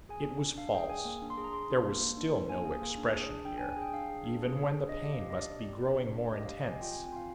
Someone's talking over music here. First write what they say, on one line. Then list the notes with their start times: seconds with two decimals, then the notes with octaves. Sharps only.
It was false; there was still no expression here, even when the pain must be growing more intense.
0.09 G#4 G#5
0.26 D4
0.41 D4
0.58 D4 F5
0.74 G#4 G5
0.89 G#4 G#5
1.05 A#3
1.22 D4
1.30 C6
1.38 G#4
1.44 A#5
1.53 G#4 C6
1.70 D4
1.86 A#3
2.01 A#3
2.17 D4
2.33 D4
2.49 A#3 G#5
2.65 G#4
2.82 A#3
2.98 D4
3.14 G#4
3.29 D4
3.45 D4 G5
3.57 D4 G#5
3.70 G#5
3.77 G#4
3.82 G5
3.93 D4 F5
4.09 G#4
4.24 D4
4.41 G#4
4.57 D4
4.73 G#4
4.89 D4 D#5
5.05 G4
5.13 F5
5.21 G4
5.30 D#5
5.37 D4 D5
5.53 G4
5.68 G4
5.85 D4
6.00 D4
6.16 D4
6.33 G4 D#5
6.46 G4 F5
6.59 D#5
6.64 G4
6.70 G#5
6.81 F4 G5
6.93 G#5
6.97 C4
7.04 G#5
7.12 F4 F5